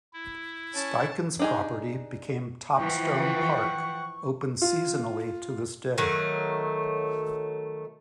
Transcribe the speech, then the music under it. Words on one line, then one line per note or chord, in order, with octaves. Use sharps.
Steichen's property became Topstone Park, open seasonally to this day.
E4
C#4 A5
D4 D#4 G#4
E3 F3 F#5 G5 C#6
F4
D#3 F#3 A3